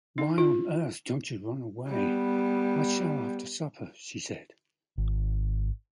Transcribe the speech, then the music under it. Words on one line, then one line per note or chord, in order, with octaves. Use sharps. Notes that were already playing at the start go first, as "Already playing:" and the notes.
"Why on earth don't you run away?" "I shall after supper," she said.
D#4
F4
G3 B3
G#1